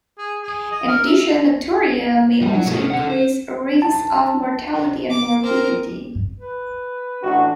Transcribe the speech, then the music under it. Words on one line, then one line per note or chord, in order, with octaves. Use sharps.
In addition, nocturia may also increase risk of mortality and morbidity.
G#4
G#4
D#5
A#4
E5
G3
F#3
B2 A3
A4 F#5
C5
A5
D6
C4 A#4
B4
A1 D4 F#4